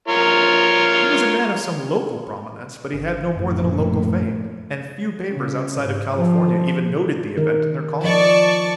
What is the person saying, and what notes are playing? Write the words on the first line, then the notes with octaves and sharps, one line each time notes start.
He was a man of some local prominence, but he had no more than a local fame, and few papers outside of California even noted the event in their columns.
F4 A#4 C#5
G#1
A#1 F#2 A2
C#3
G#2
F3
D#3 A#4
F3 D5 D#5 A5 C#6